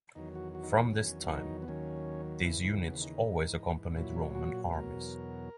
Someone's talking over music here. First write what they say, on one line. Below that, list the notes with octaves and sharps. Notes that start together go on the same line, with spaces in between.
From this time, these units always accompanied Roman armies.
E2 D#3 F#3 D#4
F#4
F#4
D#4
E4
E2 D#3 F#3 C#4
D#4
B3
D#2 D#3 F#3 C#4
D#2 C#3 E3 E4
E4
B3
D#4
G#2 E3
A#2 F#3 E4
F#4
E2 B2 F#3 A#4